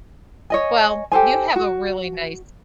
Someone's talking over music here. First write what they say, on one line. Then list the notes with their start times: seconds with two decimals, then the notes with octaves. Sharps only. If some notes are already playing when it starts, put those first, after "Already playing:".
Well, you have a really nice
0.50 C#5 D#5 G#5
1.12 G4 A4 C5 G#5
1.56 F#4